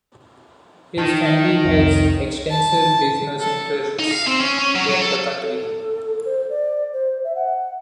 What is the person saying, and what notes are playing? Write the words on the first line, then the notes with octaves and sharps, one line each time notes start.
His family has extensive business interests in the country.
D#3 A5
C2 F2 C3
A5
A4
D#4
F5
C4
C#4
C#4
F#3
F#3
A4
A4
C5
D5
C5
E5
F#5